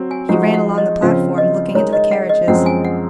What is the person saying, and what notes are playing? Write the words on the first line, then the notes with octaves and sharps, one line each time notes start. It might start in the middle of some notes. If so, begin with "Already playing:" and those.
He ran along the platform, looking into the carriages.
Already playing: F#3 C4 F#4
G#5
F3 G#3 D#4 F#4 F#5
F#5
D#5
C#3 F3 C4 F4 F5
D#5
G#3 D#4 A#4 C#5
D#5
F#5
D#5
F#2 F3 G#3 C4 F#5
G#5
F#5